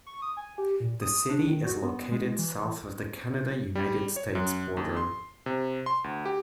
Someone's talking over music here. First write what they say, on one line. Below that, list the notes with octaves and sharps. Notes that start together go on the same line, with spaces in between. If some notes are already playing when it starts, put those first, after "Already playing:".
The city is located south of the Canada–United States border.
C#6
D#6
G#5
G4
A#2
D#6
D4
D#3
F#4
B3
G#3
E3
G3
C#5
F#2
D#2
C6
C3
C6
D2
G4